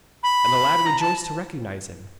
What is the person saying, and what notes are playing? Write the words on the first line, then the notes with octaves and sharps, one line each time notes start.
And the lad rejoiced to recognise him.
B5
A#5
A5